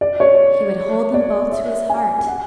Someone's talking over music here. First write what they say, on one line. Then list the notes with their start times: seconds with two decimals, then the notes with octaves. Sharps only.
He would hold them both to his heart.
0.01 D5
0.20 C#5
1.14 D5
1.52 E5
1.89 G#5
2.18 G#5
2.27 F#5